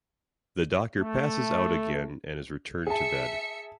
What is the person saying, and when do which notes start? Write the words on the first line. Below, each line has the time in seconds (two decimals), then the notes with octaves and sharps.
The Doctor passes out again and is returned to bed.
0.99 A3
2.87 G#4 E5 A5 C#7